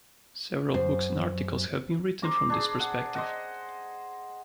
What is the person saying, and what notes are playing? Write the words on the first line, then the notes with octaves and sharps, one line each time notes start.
Several books and articles have been written from this perspective.
F#2 C5
C5 A#5 D6
D4 G#4
F#5
C5 D#5 F#5